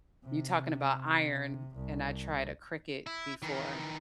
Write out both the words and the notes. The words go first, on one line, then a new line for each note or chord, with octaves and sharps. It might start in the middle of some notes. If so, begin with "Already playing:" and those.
You talking about iron, and I tried a cricket before,
C3
C2
E4
D#3 E3